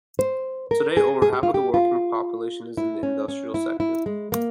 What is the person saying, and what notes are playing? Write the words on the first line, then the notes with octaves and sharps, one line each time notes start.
Today over half of the working population is in the industrial sector.
C5
A#4
G#4
G#4
G4
F4
G4
F4
E4
C#4
C#4
E4
E4
G#3
A#3